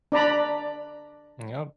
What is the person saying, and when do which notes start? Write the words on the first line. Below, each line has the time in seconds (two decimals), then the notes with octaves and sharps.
And, yep.
0.12 D4 D5 A#5 B5